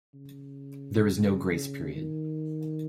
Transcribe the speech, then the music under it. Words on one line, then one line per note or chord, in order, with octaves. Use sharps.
There is no grace period.
C#3
C#3
D#3